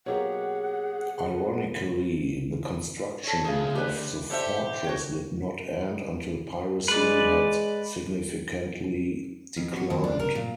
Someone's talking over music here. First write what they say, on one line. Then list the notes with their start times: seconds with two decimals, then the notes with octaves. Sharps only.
Ironically, the construction of the fortress did not end until piracy had significantly declined.
0.06 B2 F#3 A#3 G4 G#4 C#5 F#5
3.23 A4 C#5
3.44 D2 G#4 F5
3.75 G4 B4
4.31 G4 A4 C5 E5
4.84 F#4 C#5 G5
6.88 G#3 B4 D5
9.57 F2
9.76 F#4
9.90 D#2
10.04 D4
10.20 A#4
10.35 A#2